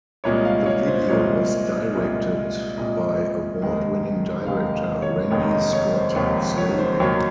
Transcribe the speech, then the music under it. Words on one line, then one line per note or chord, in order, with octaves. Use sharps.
The video was directed by award-winning director Randy Scott Slavin.
C2 A#2 G#3 C#5
F5
C#5
C5
C2 A#2 G#3 C#5
C2 A#2 G#3
C2 A#2 G#3 D#5
F1 D#2 D#3 G#3
F1 D#2 D#3 G#3 F5
F5
C#5
F1 D#2 D#3 G#3 C#5
D#5
C#5
C5
F1 D#2 D#3 G#3 C#5
D#5
C#5
C5
D#2 D#3 F#3 C#5